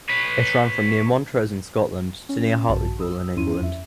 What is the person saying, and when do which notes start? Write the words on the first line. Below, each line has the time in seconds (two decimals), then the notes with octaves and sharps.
It ran from near Montrose in Scotland to near Hartlepool in England.
0.09 B4 C#5
2.29 C#4
2.69 A#1 G2 C#3 F#4 A5
3.00 D#6 E6
3.36 E2 G2 C#4 E4 C6 D#7
3.62 F2 E5